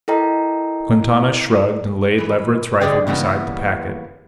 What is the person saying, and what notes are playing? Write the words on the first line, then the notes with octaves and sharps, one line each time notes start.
Quintana shrugged and laid Leverett's rifle beside the packet.
E4 A4 A#4 D#5 G5 A#5
E3 B4
D3 G#3 G4 G#4 D5 G5
A#2 C#3 E3 G3 A#3 B3